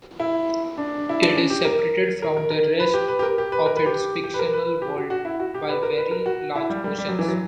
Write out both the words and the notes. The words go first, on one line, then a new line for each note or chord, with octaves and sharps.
It is separated from the rest of its fictional world by very large oceans.
E4
D4
E4
D4
C#4
G4
A#4
A#4
A#4
A#4
B4
G4
B4
G4
A#4
G4
B4
A#4
B4
G4
G4
B4
A#4
B4
G4
F#4
F#4
E4
F#4
G4
B4
A#4
B4
A#4
F#4
E4
G3
G3
G3
F#3
E3
F#3